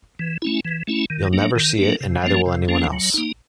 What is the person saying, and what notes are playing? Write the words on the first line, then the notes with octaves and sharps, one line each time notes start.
You'll never see it and neither will anyone else.
E3
A3 C#4 E4
E3
A3 C#4 E4
D#3
F#3 A#3 D4
D#3
F#3 A#3 D4
C3
F3 A#3 C#4
C3
F3 A#3 C#4
F#3
A#3 D#4